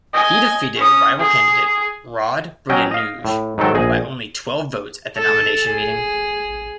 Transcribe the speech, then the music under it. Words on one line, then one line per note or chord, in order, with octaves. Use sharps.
He defeated rival candidate Rod Bruinooge by only twelve votes at the nomination meeting.
D#5 G#5
C#4 D#6
G#4
F#3 C#4 D#5 G5 G#5
D#5 F5
A2
G#2 D#3 F#3 A4 G5
A#1 G#4 D#5
A4
G#4